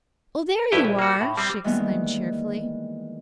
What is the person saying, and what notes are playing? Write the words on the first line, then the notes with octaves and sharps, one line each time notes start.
"Oh, there you are!" she exclaimed cheerfully.
A1 G2 E4 G4 B4 G5
A#1
A#3 F#4
A2
G3 C4
D#3 E3 G3 G#3 A#3 B3